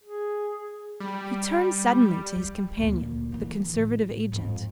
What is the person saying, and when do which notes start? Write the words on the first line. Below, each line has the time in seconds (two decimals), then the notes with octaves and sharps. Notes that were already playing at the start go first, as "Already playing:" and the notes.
He turned suddenly to his companion, the Conservative agent.
0.04 G#4
1.00 G3
2.36 G3
2.77 D2 A#2
3.32 D#3 E3
3.74 A2
4.32 F2 G#2